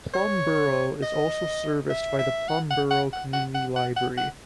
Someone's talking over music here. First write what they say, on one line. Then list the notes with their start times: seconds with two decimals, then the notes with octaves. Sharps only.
Plum Borough is also serviced by the Plum Borough Community Library.
0.14 C#5
1.02 D#5
1.90 E5
2.19 E5
2.48 F#5
2.71 F#5
2.91 F#5
3.13 F#5
3.33 F#5
3.55 F#5
3.76 F#5
3.96 F#5
4.17 F#5